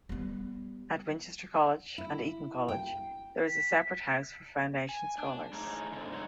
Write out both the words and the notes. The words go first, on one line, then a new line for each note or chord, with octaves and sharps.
At Winchester College and Eton College, there is a separate house for foundation scholars.
G3 B3
E4
G5
B6
G#5
D4
A2 A3 D#4 G#4 A#5
G#2 D3
F#3 G#3 C#4 D#4